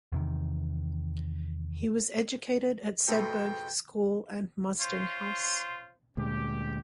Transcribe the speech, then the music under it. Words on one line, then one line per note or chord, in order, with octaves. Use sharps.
He was educated at Sedbergh School and Mostyn House.
E2 C3 D#3
F2 G#2 B2 A3 G5
C#4 F4 C5
D2 A#2 G#3 G4